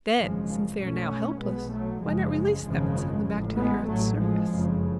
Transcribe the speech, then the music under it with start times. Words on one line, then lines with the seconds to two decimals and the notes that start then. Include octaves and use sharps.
"Then, since they are now helpless, why not release them and send them back to the earth's surface?"
0.18 G#1 F#2 C#3 F3 G#3
0.80 B1 B2 A3 C#4
1.42 B1 B2 G#3 B3
1.72 F#3 A3
2.03 F#1 F#2 C#3 F3 G#3
2.65 G#1 F#2 C#3 F3 G#3
3.27 A1 A2
3.58 G#3 B3
3.89 A1 A2 F#3 A3
4.19 F3 G#3
4.50 F#1 F2 C#3